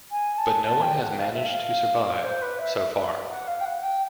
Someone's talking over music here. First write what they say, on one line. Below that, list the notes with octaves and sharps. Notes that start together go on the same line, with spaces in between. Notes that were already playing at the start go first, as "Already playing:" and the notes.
But no one has managed to survive... so far.
G#5
A5
A5
G5
F#5
F5
E5
F5
C5
B4
E5
E5
E5
F#5
F5
G5
F#5
G5